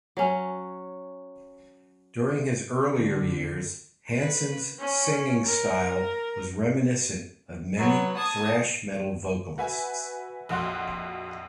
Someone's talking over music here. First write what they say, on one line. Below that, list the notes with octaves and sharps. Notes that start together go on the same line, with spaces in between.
During his earlier years Hansen's singing style was reminiscent of many thrash metal vocalists.
F#3 C#4
D3
B4
C#4
A#4
F#3 B3
A5 D#6 G#6
F#4 B4 E5 G#5
A#1 F2 F#4 C6 F#6